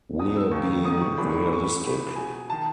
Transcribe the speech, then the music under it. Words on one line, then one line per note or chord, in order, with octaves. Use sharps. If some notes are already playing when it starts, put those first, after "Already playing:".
We're being realistic.
E1 E2 B2 D#6
E6
D#2 D#3 C#6
A1 G#2 D#3 D#6
C#6
G#1 F#2 E3 B5
C#6
B5
A1 A2 E3 C#6
B5
C#6
C#2 C#3 E3 B5
C#2 B2 G#5
D#3 A5